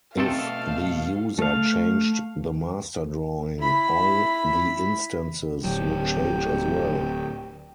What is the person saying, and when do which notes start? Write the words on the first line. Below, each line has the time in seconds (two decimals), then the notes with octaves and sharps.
If the user changed the master drawing, all the instances would change as well.
0.18 B2 A3 C4 A4 F5
1.39 A3 F5
3.59 E4 B5
5.64 D1 F#3 G4